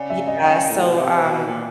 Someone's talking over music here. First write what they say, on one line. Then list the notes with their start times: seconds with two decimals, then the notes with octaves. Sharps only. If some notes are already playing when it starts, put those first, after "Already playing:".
yeah. So, um
Already playing: C#3 D5
0.10 E5
0.27 D#5
0.44 C#3 G5
0.70 A2
0.85 B2
0.96 C3
1.22 B2
1.47 A#2